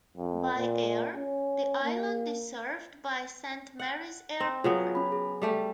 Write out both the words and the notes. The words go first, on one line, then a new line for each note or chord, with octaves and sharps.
By air, the island is served by Saint Mary's Airport.
F2
A#2
C#4
A#3
F#5
C4
C#3 F#3 B3 F4
C#4 B5
G#4
G3 A3 G4